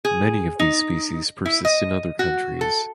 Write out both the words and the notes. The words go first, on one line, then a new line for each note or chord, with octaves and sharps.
Many of these species persist in other countries.
G#4
D#4
E4
D#5
F#4
A4